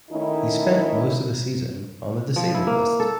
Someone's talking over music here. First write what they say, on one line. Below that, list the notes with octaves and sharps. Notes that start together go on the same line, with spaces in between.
He spent most of the season on the disabled list.
D#3 A3 C#4 D#4 E4
F3
E4
A#3
A4